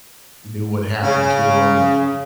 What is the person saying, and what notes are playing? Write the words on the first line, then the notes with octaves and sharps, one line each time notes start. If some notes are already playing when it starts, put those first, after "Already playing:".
knew what happened to him, and,
C#3